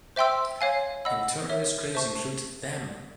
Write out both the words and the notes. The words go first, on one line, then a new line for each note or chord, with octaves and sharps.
In turn this craze included Them!
C5 E5 G5 C6 E6
C#5 F5 G#5
D#5 F#5 B5 E6
A#4 C#5 E5
C5 E5 A5 C#6